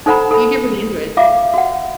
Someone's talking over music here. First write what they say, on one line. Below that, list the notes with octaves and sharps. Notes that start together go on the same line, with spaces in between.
you get really into it.
D#4 A4 C5 F#5 A#5 B5
A4 B5
F4 E5 F5 D6
F#4 F#5